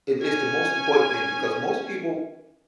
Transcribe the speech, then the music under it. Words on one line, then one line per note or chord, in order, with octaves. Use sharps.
It it's the most important thing, because most people
C#4 G#5